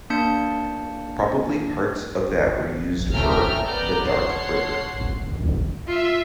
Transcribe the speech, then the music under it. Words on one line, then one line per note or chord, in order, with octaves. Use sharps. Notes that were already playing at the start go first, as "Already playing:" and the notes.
Probably parts of that were used for "The Dark River".
A#3 D4 A5 G6 C#7
A3 C#4 E5 G5 A#5 F6
B3 D5 A#5 F6 G6
C#5 F#5 A5 C6 C7
F4 E5